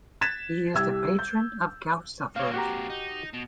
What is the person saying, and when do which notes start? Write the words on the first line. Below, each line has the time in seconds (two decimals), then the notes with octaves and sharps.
He is the patron of gout sufferers.
0.21 F#6 G#6 A6 B6 E7
0.74 C2 G4 E6 G#6
1.19 G6
2.36 A#3 C4 C#5 F5
2.54 F#4 G4 A#5
2.90 D#4
3.34 B2